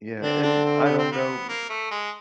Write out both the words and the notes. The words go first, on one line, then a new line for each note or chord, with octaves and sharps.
Yeah, and, I don't know
D3 C4 D4
C4 D4
C4
B3
C4
B3
A#3
A3
G#3